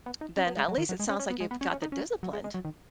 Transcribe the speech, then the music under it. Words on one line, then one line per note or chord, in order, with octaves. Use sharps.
then at least it sounds, like, you've got the disciplined.
B3
D#4
C#4
B3
G#3
F#3
D#3
F#3
G#3
C#4
C#4
B3
G#3
B3
C#4
C#4
D#4
C#4
F#3
G#3
G#3
F#3
D#3